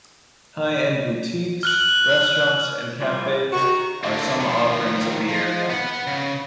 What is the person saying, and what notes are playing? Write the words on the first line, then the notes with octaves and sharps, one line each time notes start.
High-end boutiques, restaurants and cafes are some offerings of the area.
F6 F#6 F#7
E3 F3 G3
D#3 F#4 C#6
D3 A#3
D#3 F3
F3
B3 F#5
C#3